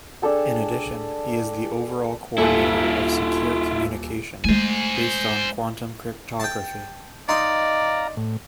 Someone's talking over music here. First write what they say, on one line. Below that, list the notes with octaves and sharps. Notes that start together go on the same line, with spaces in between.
In addition, he is the overall coordinator of Secure Communication based on Quantum Cryptography.
D4 G#4 A4 G5
D#1 E4 F4 A4 G#5
G#3 A3 C5 G#5
G5 A5
D#4 D5 F5 A#5 C6
A2